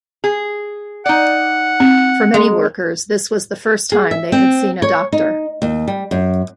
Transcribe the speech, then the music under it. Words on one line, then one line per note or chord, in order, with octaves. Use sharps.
For many workers, this was the first time they had seen a doctor.
G#4
D#4 D5 F#5
C4
G#3 A#5
G#4
E5
C4
C#5
D#4
D#2
G3
F#2